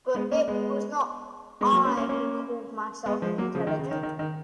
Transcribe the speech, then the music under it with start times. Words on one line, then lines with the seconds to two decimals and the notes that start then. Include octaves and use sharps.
But it was not I who called myself intelligent.
0.15 G#3 B3
0.31 A#3 C#4
0.48 G#3 B3
1.61 G#3 B3
1.73 F#3 A#3
1.85 A#3 C#4
1.97 A#3 C#4
2.09 A#3 C#4
3.06 G#3 B3
3.22 F3 G#3
3.38 F#3 A#3
3.55 C#3 F3
3.67 D#3
3.79 C#3
3.91 D#3
4.03 D#3
4.19 D#3